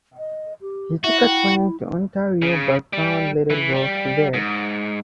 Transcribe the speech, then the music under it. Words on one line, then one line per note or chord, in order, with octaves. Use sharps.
He took a train to Ontario but found little work there.
D#5
G4
E4 F#4 E5
G5
C#3
G3
E3
G3
G#2